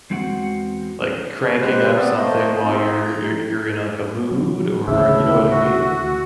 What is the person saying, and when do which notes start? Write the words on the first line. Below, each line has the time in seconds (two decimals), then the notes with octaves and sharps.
like, cranking up something while you're you're you're in, like, a mood, or you know what I mean?
0.10 E2 G#3 C4 F#4 F#5
1.43 C#5
1.60 G#3 G4 B4 C5
1.96 B3 C4 D5
2.17 A3 A#3 C5 D#5
2.62 C4 D#4 F4
3.04 A#5
4.31 F#3
4.88 D2 A2 C#3 E3 E5
5.49 F#4